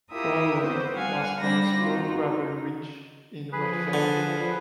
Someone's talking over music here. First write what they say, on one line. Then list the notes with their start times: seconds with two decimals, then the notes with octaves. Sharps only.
Crowland was on a small gravel ridge in wet fen.
0.11 E4 F4 G4 A#4 E5 D#6
0.66 B3 C4 F#4 B4 C5
0.97 G3 F5 F#5 G#5
1.40 G3 C4 D4 C5 B5 A#6
1.77 C4 D#4 F4 F#4
2.22 D#4
3.52 F3 G#4 B4
3.93 D3